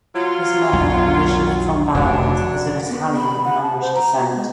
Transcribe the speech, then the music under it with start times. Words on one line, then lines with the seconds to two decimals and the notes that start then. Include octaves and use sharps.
His mother, originally from Ballarat, is of Italian and Irish descent.
0.14 F#3 F4
0.73 B1 F2
1.95 F1 F#3 D4
2.89 B3
3.16 B5
3.44 F#5
3.62 A5
3.81 C5
3.95 A#5
4.20 B3
4.35 G#3